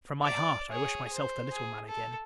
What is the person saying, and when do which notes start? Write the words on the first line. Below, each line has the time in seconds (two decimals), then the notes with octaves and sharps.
From my heart, I wish myself the little man again!
0.22 D5
0.71 G#4 C#5
1.13 C5
1.52 G#4
1.88 A4